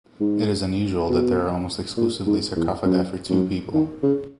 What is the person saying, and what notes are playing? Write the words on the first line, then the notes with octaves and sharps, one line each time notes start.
It is unusual that there are almost exclusively sarcophagi for two people.
G#2
B2
A#2
G#2
E2
F#2
F#2
D#3
C#3